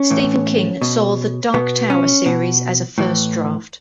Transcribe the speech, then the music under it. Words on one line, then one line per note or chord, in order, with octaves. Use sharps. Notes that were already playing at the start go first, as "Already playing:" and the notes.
Stephen King saw the "Dark Tower" series as a first draft.
Already playing: C#4
A2 E3
B2
B2 B3
C#4
B2
A2 E3